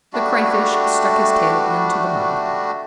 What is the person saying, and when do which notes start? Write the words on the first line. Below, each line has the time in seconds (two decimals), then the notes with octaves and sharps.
The Crayfish stuck his tail into the mud.
0.13 G3 A3 D4 F#4